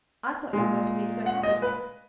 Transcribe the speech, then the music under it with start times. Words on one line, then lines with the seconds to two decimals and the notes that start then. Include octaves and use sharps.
"I thought you were to be so happy here."
0.53 A#2 G#3
1.26 F#5
1.43 D#5
1.62 B4